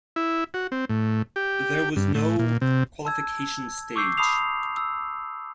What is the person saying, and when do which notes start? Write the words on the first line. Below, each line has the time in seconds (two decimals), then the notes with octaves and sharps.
There was no qualification stage.
0.16 E4
0.54 F#4
0.72 C4
0.89 A2
1.36 G4
1.96 G2
2.15 A2
2.39 A#2
2.61 C3
3.05 A5 E6 G#6
3.96 C#6 D6 E6 G6 C7
4.17 A5 B5 C#6 D#6 C7 F7
4.77 E6